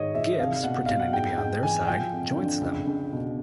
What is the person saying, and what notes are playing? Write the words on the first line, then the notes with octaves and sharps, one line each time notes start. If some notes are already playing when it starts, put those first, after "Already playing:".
Gibbs, pretending to be on their side, joins them.
Already playing: G#2 D#3 C#5 D#5
G#2 E5
C2 F5
B2 F#5
B2 F5
F#5
G#2 G5
G#2 G5
E3 G#5
F3 G5
F2
D3
C#2
C#2
B2